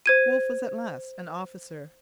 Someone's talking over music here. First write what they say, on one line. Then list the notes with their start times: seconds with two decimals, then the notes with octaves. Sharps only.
Wolfe was at last an officer.
0.06 C5 G#6 D#7